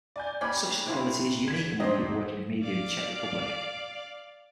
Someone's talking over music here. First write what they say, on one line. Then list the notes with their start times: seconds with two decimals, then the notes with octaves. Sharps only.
Such stability is unique among people working in media in the Czech Republic.
0.16 D5 G#5 G6
0.41 D#2 C#4 D5 B5
0.86 D4 E4 F4
1.48 G#6 B6
1.80 C4 D4 D#4 C5 D#5
2.63 D5 F5